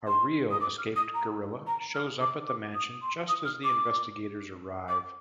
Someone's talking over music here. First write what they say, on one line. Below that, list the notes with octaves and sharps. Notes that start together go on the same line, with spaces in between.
A real escaped gorilla shows up at the mansion just as the investigators arrive.
C6
D#6
D6
F6
D#6
A#5
A#5
F6
D6
D6
D#6
C6
D#6
F6
D6
D6